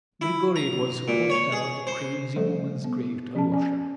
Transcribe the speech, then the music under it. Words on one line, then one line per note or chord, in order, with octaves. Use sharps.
Grigory it was who pointed out the "crazy woman's" grave to Alyosha.
E4
A#5
A#2
C#5
G#4
C5
F3 G3 A3 A4 C5
B3
F3 C#4 G#4 A5
C#4 D5 G#5